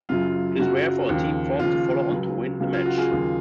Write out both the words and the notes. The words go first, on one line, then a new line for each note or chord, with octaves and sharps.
It is rare for a team forced to follow on to win the match.
F#2 C#3 F#3 F4
F#2 C#3 F#3 F#4
D#2 C#3 F3
D#2 C#3 F3 F4
C#2 C#3 F#3
C#2 C#3 F#3
F4
F#4
F4 G#4
D#2 C#3 F#3